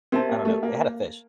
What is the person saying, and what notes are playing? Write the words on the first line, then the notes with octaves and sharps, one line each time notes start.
I don't know. It had a fish.
C4 G4 A#4 E5 A5
A#3
A3
A#3